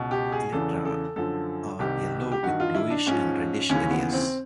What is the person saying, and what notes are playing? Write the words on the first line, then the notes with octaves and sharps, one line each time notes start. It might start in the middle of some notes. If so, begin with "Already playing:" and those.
Elytra are yellow with bluish and reddish areas.
Already playing: C#2 B2
G4
G#4
E2 C#3 E3 A4
A4
F#2 D3 F3 A4
C2 C3 D#3 G4
G4
G2 D#3 F#4
F4
E4
D4
G#2 F3 C#4
D#2 C#3 E3 C#4
B3
C4